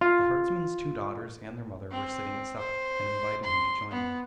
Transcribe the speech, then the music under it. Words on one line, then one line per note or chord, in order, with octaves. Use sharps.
The herdsman's two daughters and their mother were sitting at supper, and invited him to join them.
F4
C4
C5
C6
B3